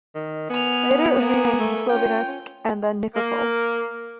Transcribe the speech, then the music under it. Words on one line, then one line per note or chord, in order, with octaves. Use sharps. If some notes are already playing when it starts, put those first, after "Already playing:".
Later it was renamed into Slovianske and then Nikopol.
D#3
B3 G#5 F6
A#3 G#5
A3
C#4 F4 G5
A#3